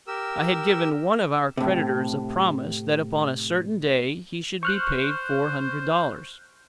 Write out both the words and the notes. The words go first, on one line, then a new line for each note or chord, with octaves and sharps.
I had given one of our creditors a promise that upon a certain day he should be paid four hundred dollars.
G4 A#4 E6
A2 C3
C5 C#6 F6 F#6